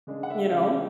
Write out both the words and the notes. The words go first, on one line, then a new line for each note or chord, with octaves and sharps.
You know?
C#3 G#3 D4
F#5
E5
C#3 G#3 D4